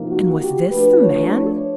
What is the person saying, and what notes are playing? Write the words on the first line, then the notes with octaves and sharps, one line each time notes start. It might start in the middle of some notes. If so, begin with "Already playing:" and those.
And was this the man?
Already playing: C3 F3 A#3 D#4
F#4
G4
F3 A3 D4 B4
C#5